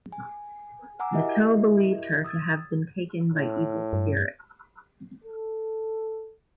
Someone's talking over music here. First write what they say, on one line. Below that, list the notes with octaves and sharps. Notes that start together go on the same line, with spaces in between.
Meteau believed her to have been taken by evil spirits.
G#5
F#5 G#5 A#5 D6 E6
E4 F#4 G4 A#4 D#5 E5
D#6 E6 G#6 A6
A2
G2
A4